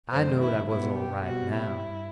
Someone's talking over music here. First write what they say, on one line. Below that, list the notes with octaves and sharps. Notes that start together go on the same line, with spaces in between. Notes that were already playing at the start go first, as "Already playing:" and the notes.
I knowed I was all right now.
F#2 D#3 A3 C4 C5
E4
B2 G3 B3 E4
G4
B2 G3 C4 F#4
E4
G2